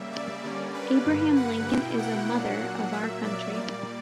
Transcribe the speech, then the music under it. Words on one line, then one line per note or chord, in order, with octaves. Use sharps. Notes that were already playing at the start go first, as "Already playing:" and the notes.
Abraham Lincoln is a 'mother' of our country.
Already playing: C#3 G3 A#3 E5
D5
D3 G3 A#3 C#4
B4
G2 D3 A#3
F#5
B2 A#3 E4 G5
F#5
A#2 F#3 A#3 D4
A#2 F#3 A#3 E5
D5
A#2 G3 A#3 D5